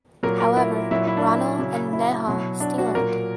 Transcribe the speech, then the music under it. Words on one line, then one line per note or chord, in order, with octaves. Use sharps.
However Rano and Neha steal it.
A#2 F#3 A#4
A#4
E4
A#2 F#3 E4
E4
D4
E4
C#3 F#3
E4
B2 F#3
D4
F#4
A#2 F#3 A#4